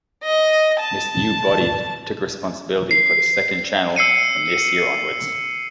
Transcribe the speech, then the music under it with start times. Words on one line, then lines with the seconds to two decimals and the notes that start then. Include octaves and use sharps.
This new body took responsibility for the second channel from this year onwards.
0.23 D#5
0.80 A5
2.91 C7
3.96 E6 C7 C#7 D#7